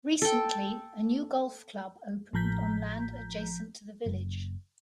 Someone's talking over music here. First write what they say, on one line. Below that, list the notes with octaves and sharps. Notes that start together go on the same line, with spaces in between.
Recently a new golf club opened on land adjacent to the village.
A4 G5
A1 A2 F3 A#5 G6 B6
F#1